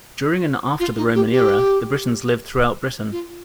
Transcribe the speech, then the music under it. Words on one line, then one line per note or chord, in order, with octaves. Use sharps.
During and after the Roman era, the Britons lived throughout Britain.
F4
D#4
G4
G4
F4